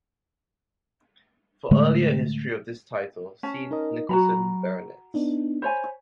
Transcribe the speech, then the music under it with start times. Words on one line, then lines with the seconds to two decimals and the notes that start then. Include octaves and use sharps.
For earlier history of this title, see Nicolson Baronets.
1.71 A2 D3 G#3 A3
3.43 C#4 A5
3.71 D#4 A#4 D#5
4.09 F#3 F#4 A#5 B5
5.14 B3 D4 D#4
5.62 C5 C#5 G#5 B5